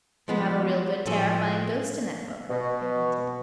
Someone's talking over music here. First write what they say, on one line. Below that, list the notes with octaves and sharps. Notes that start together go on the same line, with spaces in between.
"You have a real good terrifying Ghost in that book?" I hinted.
F3 G#3 B3
A2 F3 G#4 A4
B2